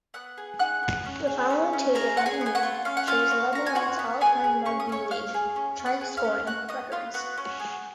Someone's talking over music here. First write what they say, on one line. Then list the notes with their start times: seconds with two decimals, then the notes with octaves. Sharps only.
The following table underneath shows Lebanon's all-time rugby league try scoring records.
0.14 B3 F#5 F#6
0.38 G#4
0.59 D#4 F#5 F#6
0.83 B3
1.05 C#4
1.27 G#4
1.51 C#4
1.73 C#4
1.95 G#4 A#4 A#5
2.17 F4 F#5
2.26 G#4 G#5
2.41 B3
2.46 G#5
2.55 F#4 F#5
2.63 F4
2.85 C#4 F5
2.97 F#5
3.07 C#4 F4 F5
3.31 F#4
3.53 F#4 A#5
3.66 G#5
3.75 F4 F#4 F#5
3.99 B3
4.21 B3 G#4 G#5
4.44 G#4
4.65 C#4 C#6
4.80 D#6
4.89 C#4 C#5 C#6
5.11 C#4 F5 F6
5.34 G#4
5.56 C#4
5.80 C#4
5.86 F#5 F#6
6.01 G#4
6.17 F5 F6
6.24 C#4
6.47 F#4 F#5 F#6
6.69 B3 D#5 D#6
6.92 B3 F4 F5
7.14 B3 F#4 F#5
7.38 C#4
7.60 G#4